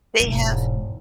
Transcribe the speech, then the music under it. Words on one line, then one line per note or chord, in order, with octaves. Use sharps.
they have
E1 G#2